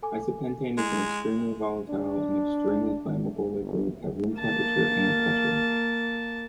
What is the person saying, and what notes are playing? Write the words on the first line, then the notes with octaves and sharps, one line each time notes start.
Isopentane is an extremely volatile and extremely flammable liquid at room temperature and pressure.
A4 G#5 D6
G#3 E4
D4
G1
A#3 A5